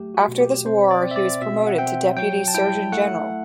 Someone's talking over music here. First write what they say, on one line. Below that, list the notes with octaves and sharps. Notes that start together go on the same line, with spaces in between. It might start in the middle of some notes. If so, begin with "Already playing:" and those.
After this war he was promoted to Deputy Surgeon-General.
Already playing: F#3 A3 G4
F#4
B2
G4
C4 C5
D5
C4
E5
D5
B2 E5
F#5
C4 G5
F#3 G5
A5
E4 G5
A3 F#5